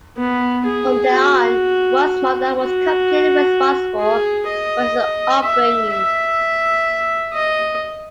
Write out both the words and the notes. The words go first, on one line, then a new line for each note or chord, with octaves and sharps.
From then on, the boy's mother was completely responsible for his upbringing.
B3
G#4
F#4
F#4
G#4
D#5
E5
E5
D#5